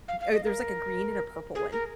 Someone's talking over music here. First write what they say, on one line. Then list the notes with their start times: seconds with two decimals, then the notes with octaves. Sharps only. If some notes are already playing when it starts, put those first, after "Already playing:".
uh, there's like a green and a purple one.
0.08 F5
0.20 F5
0.33 D#5
0.45 A#4
1.55 G#4
1.72 A#4